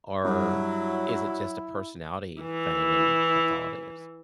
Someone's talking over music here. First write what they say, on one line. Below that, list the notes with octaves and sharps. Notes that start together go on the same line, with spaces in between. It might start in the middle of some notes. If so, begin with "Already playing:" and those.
or is it just a personality thing and that's all it is?
G2 F#3 E4
E3 E4